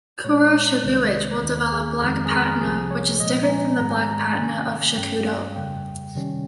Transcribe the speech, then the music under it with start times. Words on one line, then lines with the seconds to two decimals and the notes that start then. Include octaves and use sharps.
Kuro-Shibuich will develop black patina which is different from the black patina of Shakudo.
0.24 A#2 G#3 C#4 C#5
0.84 C2 C3 D#3 G#3
1.43 D#2 D#3 A#3
1.72 G#4
2.02 F2 D#3 G#3 C4 A#4
2.26 G#4
2.31 A#4
2.61 C2 C3 F3 G#4
2.91 C#5
3.20 A#2 F3 G#3 D#5
3.43 A#5
3.49 G#5
3.79 G#2 D#3 G#3 A#5
3.90 G#5
4.02 A#5
4.38 C3 D#3 A#3 C#4 G#5
4.97 G2 G3 C#4 G5
5.26 F5
5.56 F2 C#3 G3 G5
6.15 C3 D#3 G3 C#4